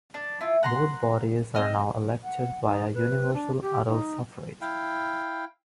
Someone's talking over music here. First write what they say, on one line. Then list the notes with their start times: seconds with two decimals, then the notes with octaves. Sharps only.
Both bodies are now elected via universal adult suffrage.
0.14 D4
0.41 E4 F4
0.63 F#5 A#5 C6
1.55 C4 D#5 F6
2.23 F#5
2.65 D#4
2.94 B4
3.33 D4
3.61 G4
3.88 D#4
4.61 E4 F5 G5